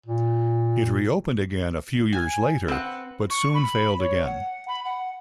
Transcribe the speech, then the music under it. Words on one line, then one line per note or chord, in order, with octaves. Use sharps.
It reopened again a few years later but soon failed again.
A#2
G#5
C4 B4 F#5
C#6
B5
C#5
F#5
B5
F#5